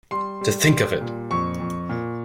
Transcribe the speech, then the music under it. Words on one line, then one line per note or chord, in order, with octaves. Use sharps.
To think of it!
G3 C6
G3
G3
A#2
F2 C#6
F2
A#2